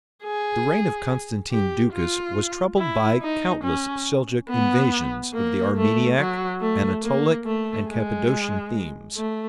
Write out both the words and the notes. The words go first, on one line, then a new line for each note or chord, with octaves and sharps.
The reign of Constantine Ducas was troubled by countless Seljouk invasions of the Armeniac, Anatolic, and Cappadocian themes.
G#4
G4
F4
E4
D#4
C#4
B3
A#3
A3
F#3
A3
A#3
A3
G#3
A3